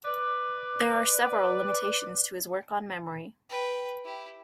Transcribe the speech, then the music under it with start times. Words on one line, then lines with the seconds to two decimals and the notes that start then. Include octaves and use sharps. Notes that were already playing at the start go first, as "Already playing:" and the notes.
There are several limitations to his work on memory.
0.05 B4 D5
3.50 B4 G5
4.04 E4 G4